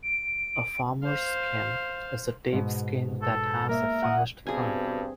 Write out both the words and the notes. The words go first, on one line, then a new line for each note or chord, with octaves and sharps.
A "farmer's sink" is a deep sink that has a finished front.
D7
C5 F5
G#2 B2
A4
A#3 A#4 E5
F#5 C#6 D#6
G2 B2 C4 G#4 G#5